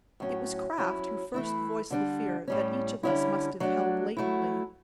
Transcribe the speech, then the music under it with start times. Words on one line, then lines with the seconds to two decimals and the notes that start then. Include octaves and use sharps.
It was Kraft who first voiced the fear that each of us must have held latently.
0.20 A2 F#3 C#4
0.78 F#3 C#4 E4
1.34 E3 A3 E4
1.90 D3 G3 D4
2.48 A2 G3 C#4
3.03 D3 G3 C#4 E4
3.60 F#3 A3 D4
4.17 F#3 A3 E4